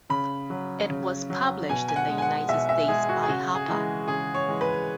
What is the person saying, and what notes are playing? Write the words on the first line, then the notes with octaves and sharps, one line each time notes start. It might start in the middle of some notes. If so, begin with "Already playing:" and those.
It was published in the United States by Harper.
C#3 B5
F#3
C#3
F#3
B2 G#5
G#5
F#5
G#3
G#5
F#5
B2 E5
E5
G#3 G#4
F#4
G#4
C#3 F#4
G#4
E3 G#3
C#3 G#4
C#5
E3 G#3
B4